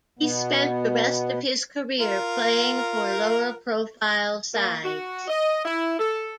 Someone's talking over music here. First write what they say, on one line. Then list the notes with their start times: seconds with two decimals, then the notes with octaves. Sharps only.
He spent the rest of his career playing for lower profile sides.
0.19 B2 B3
2.00 F4 A#4
4.54 A#3
4.84 F#4
5.28 D#5
5.65 E4
5.99 A4